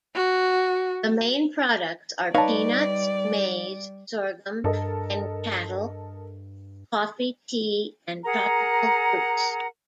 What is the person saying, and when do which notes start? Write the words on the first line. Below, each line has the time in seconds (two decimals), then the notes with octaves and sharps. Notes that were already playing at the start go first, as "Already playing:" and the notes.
The main products are peanuts, maize, sorghum and cattle, coffee, tea and tropical fruits.
0.15 F#4
2.35 G3 D#4 B4 C#5 D5 F5 A5
4.64 G2 A4 A#4 D#5
8.24 G#4 A#4 F#5 A#5